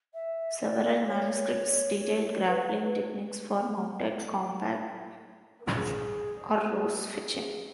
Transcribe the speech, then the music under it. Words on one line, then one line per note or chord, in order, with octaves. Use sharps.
Several manuscripts detail grappling techniques for mounted combat or "rossfechten".
E5
D5
C#5
C#5
B4
G#4